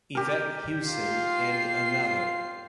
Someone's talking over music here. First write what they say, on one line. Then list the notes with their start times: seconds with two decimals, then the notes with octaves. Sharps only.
Yvette Hewson and Another.
0.15 G4 A#4
0.86 F4 C7